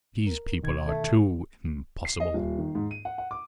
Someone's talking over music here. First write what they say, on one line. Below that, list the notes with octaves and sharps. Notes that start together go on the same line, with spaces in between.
These people are too impossible.
A#4
B2 D#3 G#6
A3
C7
D#5
D#1
D#3
G#2
D#7
F#5
F#5
D6